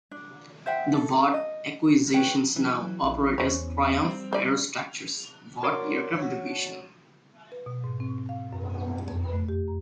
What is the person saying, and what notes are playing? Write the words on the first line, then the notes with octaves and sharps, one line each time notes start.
The Vought acquisitions now operate as Triumph Aerostructures - Vought Aircraft Division.
D4
C5 E5 F#5 G5
A4
D#5
C#4 B4 G5
E3 F#3
A#1
E2 C#4 C5 C#5
G3 C4
C5 D5
F#4 A#4 C#5 D5 C6 D6
F#4 C#5
B4
B2
G#2
C4
F5
F#2
F2
A3
G4
A#5